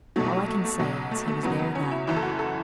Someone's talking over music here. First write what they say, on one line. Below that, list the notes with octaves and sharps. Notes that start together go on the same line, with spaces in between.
All I can say is, he was there then.
B1 B2 F#3 A3
F#3
F#3
A3
A3
B1 B2 F#3
A3
A3
E2 C#3 F#3 B3
B3
C#4
E4
F#1 F#2 E3 E4
A4
F#4
A4